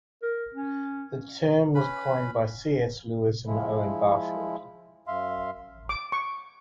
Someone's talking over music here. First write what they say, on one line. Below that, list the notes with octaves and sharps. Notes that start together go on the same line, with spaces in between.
The term was coined by C. S. Lewis and Owen Barfield.
A#4
C#4
C#4 B4 B5
F3 G#3 E4
F#2 E5 F5 C6
D6
C#6